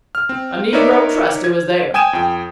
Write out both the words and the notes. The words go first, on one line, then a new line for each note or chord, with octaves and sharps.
A negro trusty was there.
F6
C4
D#4 A#4 B4 C#5 D5 E5
G#6
G5 G#5 D#6 G#6 D#7 E7
F2 G5